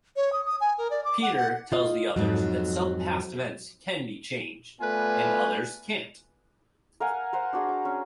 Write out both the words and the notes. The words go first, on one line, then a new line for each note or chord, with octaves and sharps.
Peter tells the others that some past events can be changed, and others can't.
C#5
D#6
D#6
G#5
A#4
D5
D6
F#5
F#5
F4 D#5
F2 G#2 F#3
A3 B3 F4 B4 D5 G#5
A#4 F5 F#5 G#5
A#4 C5 F#5
D4 F#4 G#4
D6
C#4